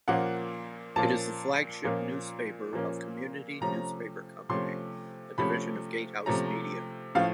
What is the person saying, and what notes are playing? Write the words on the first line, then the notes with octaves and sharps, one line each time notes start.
It is the flagship newspaper of Community Newspaper Company, a division of GateHouse Media.
A#2 F3 A#3 C#4 F#5
A#2 F3 A#3 C#4 A5
A#2 F3 A#3 C#4
A#2 F3 A#3 C#4
C3 F3 A3 C#4 A#5
C3 F3 A3 C#4 C6
C3 F3 A3 C#4 B5
C3 F3 A3 C#4 A#5
A2 F3 A3 F5